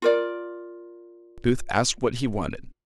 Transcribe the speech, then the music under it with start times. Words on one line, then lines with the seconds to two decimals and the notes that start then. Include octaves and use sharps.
Booth asked what he wanted!
0.02 F4 A#4 D5